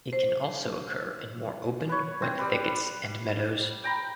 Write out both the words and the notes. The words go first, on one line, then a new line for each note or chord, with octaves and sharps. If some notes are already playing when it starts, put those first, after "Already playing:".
It can also occur in more open wet thickets and meadows.
C5
B4 C#5
C4
G3 B4
G5 A#5 B5